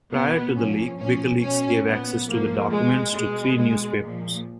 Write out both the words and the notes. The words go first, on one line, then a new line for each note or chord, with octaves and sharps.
Prior to the leak, WikiLeaks gave access to the documents to three newspapers.
B2 B3
A#2 F3 C#4
A#2 F3 C#4
B2 C#4
A#2 F3 B3
F3 A#3
A#2
B2 G#3
B2 G#3
B2 G#3
A#2 F3